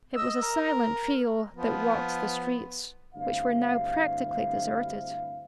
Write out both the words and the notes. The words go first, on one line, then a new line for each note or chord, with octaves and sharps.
It was a silent trio that walked the streets, which were now practically deserted.
D#5 E6
A#4
F3 B3
D2 G2 C3 E4 F5